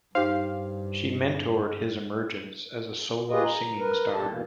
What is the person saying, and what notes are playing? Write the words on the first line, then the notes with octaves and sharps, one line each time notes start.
She mentored his emergence as a solo singing star.
G2 D#4 G4 C5 F5
F4 G4 G#4 B4 D#5
A#5
A#4 B4
D2 A#2 G4 A4 A5
B2 E3 A#3